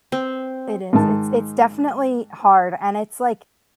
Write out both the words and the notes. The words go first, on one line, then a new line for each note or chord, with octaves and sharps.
It is. It's it's definitely hard and it's like
C4
G#2 D#3 A5